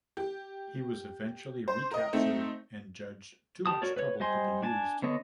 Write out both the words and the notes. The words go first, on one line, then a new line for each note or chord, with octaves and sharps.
He was eventually recaptured and judged too much trouble to be used.
G4
C5
A#4 D#5
A3 C4 D#4
G4 A5 D#6
F#4 A#4 C#5 D5
B4 C#5
G3 C5 D#5 G#5 C6
D4 G#5 A5
D3 B3 C#5 D#5